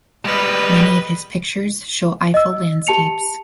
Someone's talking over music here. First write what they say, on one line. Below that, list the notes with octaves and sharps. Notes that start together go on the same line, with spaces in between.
Many of his pictures show Eifel landscapes.
G3 G#3 B4 D#5
D#5 E6
G4 A5 C#7 F7